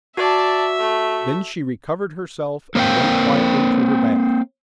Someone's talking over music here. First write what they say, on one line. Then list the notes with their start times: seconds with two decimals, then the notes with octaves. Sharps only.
Then she recovered herself and went quietly to her bath.
0.17 F#4 D5 E5 A5
0.80 A3
2.75 A#3 C4 A#4 F5 G5